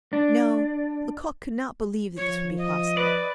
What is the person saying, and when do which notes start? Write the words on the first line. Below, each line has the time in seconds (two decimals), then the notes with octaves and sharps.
No; Lecoq could not believe that this would be possible.
0.13 D4
2.17 F3 C#5
2.58 D#5
2.97 B4 D5